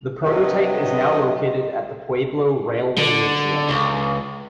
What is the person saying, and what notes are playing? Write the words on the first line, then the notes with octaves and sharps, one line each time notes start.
The prototype is now located at the Pueblo Railway museum.
G2 C3 F#3 B4 D#5
D3
C#2